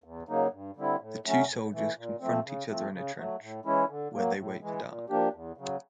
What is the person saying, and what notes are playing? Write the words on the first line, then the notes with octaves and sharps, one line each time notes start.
The two soldiers confront each other in a trench, where they wait for dark.
E2
C#3 F#3 A#3 D#4
G2
D3 G3 C4 E4
A2
F#3 A3 C#4
A2
E3 A3
A#2
F3 A3 C4
C#3
F3 A3 C4
C#3
F#3 A3
A2
E3 G#3 C#4 E4
D3
F#3 A#3
A2
E3 G#3
A#2
F3 A#3 D4 G4
E2
C#3 F#3